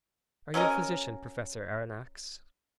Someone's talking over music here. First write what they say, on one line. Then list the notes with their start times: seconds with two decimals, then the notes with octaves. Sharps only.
"Are you a physician, Professor Aronnax?"
0.54 F#3 C#4 A#4 D#5